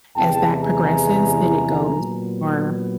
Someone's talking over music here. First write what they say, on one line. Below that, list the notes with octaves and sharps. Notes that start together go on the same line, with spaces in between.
as that progresses, then it goes more,
E2 C3 E3 G#3 G5 A5
G#5 A#5
A#2 F#3 B3